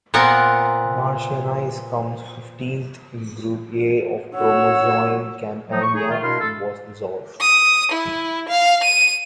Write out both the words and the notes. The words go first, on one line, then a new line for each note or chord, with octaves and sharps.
Marcianise comes fifteenth in Group A of Promozione Campania and was dissolved.
A#2 B3 C4 A#4 F#5
F#4 C#5 E6
F3 F#3 D#4
C#6
D#4 G#4
D#3 A3 F4
B2 D4 E4 A#4 F5 C6
A4
D#6
E4
F5
D#7